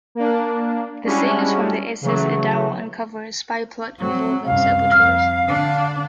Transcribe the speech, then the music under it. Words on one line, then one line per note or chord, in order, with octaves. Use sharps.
The sailors from the S. S. Idaho uncover a spy plot involving saboteurs.
A#3 D4
G3 G#3 C#4 D4 E4 F#4
C#3 E3 F#3 A3
F#3 C4
C2 F#2 F5
F2 F6
D3 D4